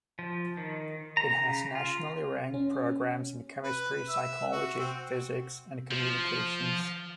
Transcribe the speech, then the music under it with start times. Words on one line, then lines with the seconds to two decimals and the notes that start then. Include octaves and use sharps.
It has nationally ranked programs in chemistry, psychology, physics, and communications.
0.19 F3
0.57 D#3
1.17 A#5
1.39 C#3
1.75 F4
2.54 C#4
3.64 B4
4.09 E5
4.52 F#4
4.79 C4
5.91 F3